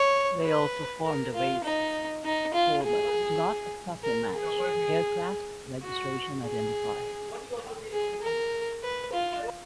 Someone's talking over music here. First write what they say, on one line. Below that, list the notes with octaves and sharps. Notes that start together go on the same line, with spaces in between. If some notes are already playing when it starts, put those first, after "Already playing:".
They also form the basis for, but do not exactly match, aircraft registration identifiers.
Already playing: C#5
B4
A#4
F4
D#4
D#4
F4
G#4
A#4
G#4
F#4
G#4
G#4
A#4
B4
F4